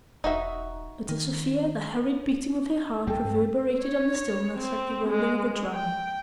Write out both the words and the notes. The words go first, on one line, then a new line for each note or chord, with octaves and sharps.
But to Sofia the hurried beating of her heart reverberated on the stillness like the rolling of a drum.
E1 D#4 F#4 E5
D#3
B1 G3 A#3 A4 G5
G2 C4
C#5
C4
G#3
G5